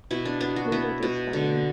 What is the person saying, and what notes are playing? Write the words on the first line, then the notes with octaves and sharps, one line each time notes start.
Who were they spying?
B2 E4
D4
B3 D4
F#4
B3 E4
B2
D3